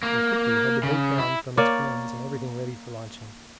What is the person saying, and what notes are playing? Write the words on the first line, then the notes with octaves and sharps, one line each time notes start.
We quickly had the boat down from its cranes, and everything ready for launching.
A#3
C#3
E4
A#3 C#5 D5